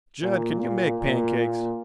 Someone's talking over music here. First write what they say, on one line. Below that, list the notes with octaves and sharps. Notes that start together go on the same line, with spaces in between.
"Jud, can you make pancakes?"
A#2
A#2
A#2
A#2